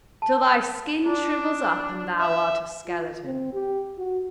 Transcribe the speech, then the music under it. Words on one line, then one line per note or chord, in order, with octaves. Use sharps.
Till thy skin shrivels up and thou art a skeleton!
A5
D4 E4
E5
F4
C4
G4
F#4